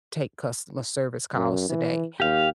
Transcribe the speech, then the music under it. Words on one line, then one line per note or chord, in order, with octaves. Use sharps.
take customer service calls today,
F#2
E3
D#2 G4 F5